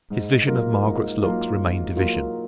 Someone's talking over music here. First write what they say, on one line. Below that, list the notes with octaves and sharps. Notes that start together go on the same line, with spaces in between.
His vision of Margaret's looks remained a vision.
G#2
F#3 A#3 F4 A#4
G#2
F#3 A#3 F4 A#4
G#2
F#3 A#3 F4 A#4